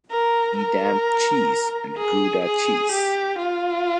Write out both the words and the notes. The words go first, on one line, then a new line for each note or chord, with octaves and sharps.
Edam cheese and Gouda cheese.
A#4
A#4
G#4
G#4
G4
F4